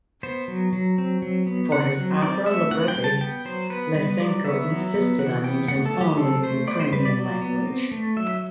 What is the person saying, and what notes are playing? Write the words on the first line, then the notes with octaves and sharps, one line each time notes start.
For his opera libretti Lysenko insisted on using only the Ukrainian language.
B3 C5
F#3
F#3
C4
F#3
B3
C4 F#5
F#3
C4 D5
A3 E5
C4 F#5
G5
G3
A5
B3 G5
F#3 C5
B3 B4
G3 B4
F#3 D5
B3 E5
F#3
B3
E3 F#5
B3 G5
A3 F#5
A4
F#3
G4
C4 A4
A3 C5
B3 D5
C5
G3 B4
D5
F#3
B3
C4
A3
F#3 E5